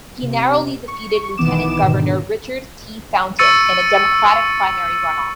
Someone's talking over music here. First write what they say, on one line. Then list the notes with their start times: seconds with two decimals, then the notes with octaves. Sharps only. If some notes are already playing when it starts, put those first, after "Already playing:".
He narrowly defeated Lieutenant Governor Richard T. Fountain in a Democratic primary runoff.
0.23 C3
0.88 C#6
1.37 B1 D#3 E3 B3 D6 E7
1.82 G#2 B2 D3 D#3
3.39 C#6 E6 A6 C#7 D#7